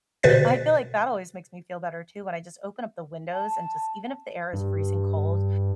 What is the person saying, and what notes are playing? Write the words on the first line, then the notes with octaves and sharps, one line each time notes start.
I feel like that always makes me feel better too when I just open up the windows and just even if the air is freezing cold,
B2 D3 B4 C5 A6 B6
A5
G2